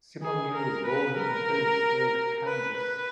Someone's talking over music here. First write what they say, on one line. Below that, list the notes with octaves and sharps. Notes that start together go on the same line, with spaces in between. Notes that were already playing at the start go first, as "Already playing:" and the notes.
Simoneau was born in Phillipsburg, Kansas.
G#4
A#4
B4
A#4
B4
B4